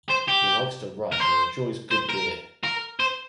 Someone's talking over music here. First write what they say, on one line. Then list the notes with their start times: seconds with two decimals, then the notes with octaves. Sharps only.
He likes to run and enjoys good beer.
0.10 C5
0.28 G4
1.12 A#4
1.20 C5
1.91 C5
2.10 A#4
2.64 A#4
3.00 C5